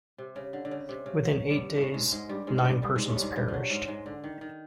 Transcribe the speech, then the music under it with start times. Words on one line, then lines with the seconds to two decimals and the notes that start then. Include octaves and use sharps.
Within eight days, nine persons perished.
0.18 C3
0.36 C#3
0.53 D3
0.65 D3
0.71 C#3
0.89 C3
1.06 C#3
1.24 F#3
1.50 G2 G3
1.76 A2 A3
1.94 G#2 G#3
2.12 G#2 G#3
2.29 G2 G3
2.47 G#2 G#3
2.65 G2 G3
2.82 G2 G3
2.95 G#2 G#3
3.09 A2 A3
3.16 G3
3.22 G#2 G#3
3.36 G2 G3
3.48 F3
3.54 F#3
3.70 G#2 G#3
3.88 G#2 G#3
4.06 D3
4.24 D#3
4.41 D#3